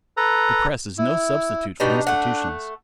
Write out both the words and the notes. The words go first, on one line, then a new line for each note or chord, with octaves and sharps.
The press is no substitute for institutions.
A4 B4 A#5
E4
B2 G3 D4 D#4
A3 F#5